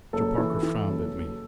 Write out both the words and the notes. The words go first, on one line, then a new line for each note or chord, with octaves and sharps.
Mr. Parker frowned at me.
F#1 A4
E3
E3
F#1
F#1